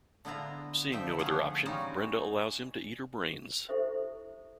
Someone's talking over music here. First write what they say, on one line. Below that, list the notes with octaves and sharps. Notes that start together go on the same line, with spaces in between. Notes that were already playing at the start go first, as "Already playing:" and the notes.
Seeing no other option, Brenda allows him to eat her brains.
D3 B3 E4 F4 A#5
D3 F3 D#4 E5 G5
F3 A3 B3 G#4 F5 F#5
G3 G#3 C#4 D#4 F4 F#4
E4 G4 A4 C5 E5